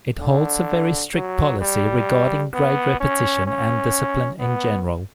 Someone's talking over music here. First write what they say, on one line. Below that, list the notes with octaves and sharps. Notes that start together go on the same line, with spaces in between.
It holds a very strict policy regarding grade repetition and discipline in general.
D3
F#3
G3
B3
C#4
C#4
B3